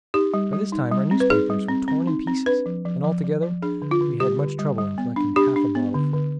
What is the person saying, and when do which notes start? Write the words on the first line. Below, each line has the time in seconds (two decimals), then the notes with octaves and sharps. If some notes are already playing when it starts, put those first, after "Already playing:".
By this time our newspapers were torn in pieces, and altogether we had much trouble in collecting half a bottleful.
0.14 D#4 G4
0.34 G3
0.53 G3
0.72 D#4
0.92 G3
1.11 C4
1.20 B4
1.30 D#4 G#4
1.50 G3
1.69 C4
1.88 C4
2.07 D#4
2.27 C4
2.46 D4 B4
2.66 F3
2.85 F3
3.04 F3
3.24 F3
3.43 F3
3.62 D4 G#4
3.82 D3
3.91 F4
4.01 D3
4.20 G3 G4
4.39 D3
4.59 G3
4.78 G3
4.98 B3
5.16 D4
5.36 D4 G4
5.56 D4
5.75 B3
5.94 D3
6.14 D3